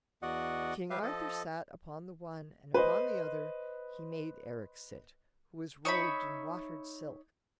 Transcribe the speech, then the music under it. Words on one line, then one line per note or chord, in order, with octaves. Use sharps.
King Arthur sat upon the one, and upon the other he made Erec sit, who was robed in watered silk.
E2 F#4 D5 D#5 F#5
G3 G4 B4 E5 F5
F3 A4 D#5
B4 C5 D#5
D#4 C#5 E5 B5